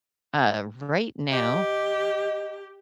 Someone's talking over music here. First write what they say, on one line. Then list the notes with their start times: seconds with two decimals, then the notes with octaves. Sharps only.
Uh, right now
1.31 G4 D#5